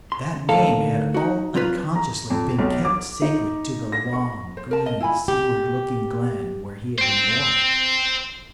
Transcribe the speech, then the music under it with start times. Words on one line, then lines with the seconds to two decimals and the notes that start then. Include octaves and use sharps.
That name had all unconsciously been kept sacred to the long, green, seaward-looking glen where he had been born.
0.12 C6
0.49 D2 D#3 A4 F5
1.14 D#4 F#4
1.55 F#3 C4 F4 B4
1.96 A#5
2.30 F2
2.59 B1
2.85 D6
3.22 D#4
3.92 A#6
4.13 C#6
4.57 C5
4.71 A#4 A5
4.86 D#5
5.00 E4 F4 G#5 B5
5.28 G4
6.98 C5 G5